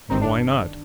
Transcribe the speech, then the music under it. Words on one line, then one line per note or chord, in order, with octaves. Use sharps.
And why not?
G1 G2 D#3 C4 D#4
D4